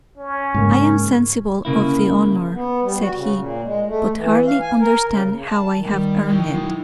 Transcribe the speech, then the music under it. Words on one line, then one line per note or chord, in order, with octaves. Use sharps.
"I am sensible of the honour," said he, "but hardly understand how I have earned it."
C#4
G#2 C#3 A#3
C#3 A#3 E4
B3
G3
F#4
C#3
A#2
G#3
A3
E3
F5
G#5
A#4
C#3
A5
D#3
G3
E4 G5
F#3 D#4